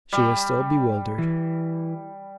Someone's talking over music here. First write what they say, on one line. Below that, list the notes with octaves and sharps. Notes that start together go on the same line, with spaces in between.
She was still bewildered.
G3
E3